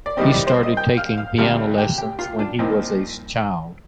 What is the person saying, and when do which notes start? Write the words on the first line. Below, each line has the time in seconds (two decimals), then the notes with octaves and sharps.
He started taking piano lessons when he was a child.
0.06 D5
0.17 C2 C3 D#3 G3 C4 D#5
0.32 D5
0.47 C5
0.63 D#5
0.77 G5
0.97 F5
1.18 F5
1.38 D2 C3 G3 F5
1.78 G4
1.98 G4
2.19 F4
2.39 D4
2.59 C2 A#2 F3 C4 D#4